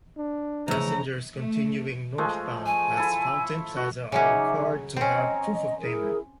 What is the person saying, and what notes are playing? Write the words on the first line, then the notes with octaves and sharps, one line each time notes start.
Passengers continuing northbound past Fountain Plaza are required to have proof-of-payment.
D4
F2 C#3 E3 A3 A#5 E6
A3
F3 G#3 A3
G#5
E4 A4
F#4
C#3 F#3 C#4 D#4 E5 D6
C4 C#4 D#5 A#5
E4 G#4 A#4